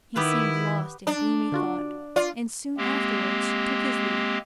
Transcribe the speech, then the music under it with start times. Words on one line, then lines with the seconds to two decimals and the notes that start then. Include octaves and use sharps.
He seemed lost in gloomy thought, and soon afterwards took his leave.
0.16 D#3 B3 E4 G4 B4
1.07 D4
1.52 D3 F4 F#4
2.16 F4 D5
2.77 G#3 A#3 C4 G4